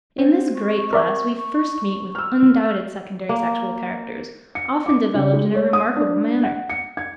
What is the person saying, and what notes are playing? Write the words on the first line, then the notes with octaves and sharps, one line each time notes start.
In this great class we first meet with undoubted secondary sexual characters, often developed in a remarkable manner.
C4
C#6
A#4 D5 E5
E6 F6
A#3
C#7
D6
C#3
G#3
C#5
D#6
D4
F#5
C#7
G#6